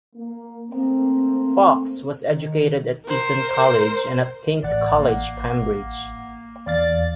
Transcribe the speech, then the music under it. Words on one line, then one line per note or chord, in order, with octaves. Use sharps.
Foxe was educated at Eton College and at King's College, Cambridge.
A#3
A3 A#3 C4
D#3
A#4 C5
A1 D5 F#5
A#3
E2 D5 F5 A6